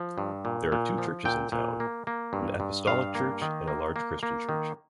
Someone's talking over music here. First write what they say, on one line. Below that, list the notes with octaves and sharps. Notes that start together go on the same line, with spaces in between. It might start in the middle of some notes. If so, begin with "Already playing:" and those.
There are two churches in town, an Apostolic Church and a large Christian church.
Already playing: F3
G2
A#2
A#2
F3
A#2 G5
A#2
A#3
A#3
G2
G2
G2 F5
A#3
D#3
A#3
A#3
A#3
D#3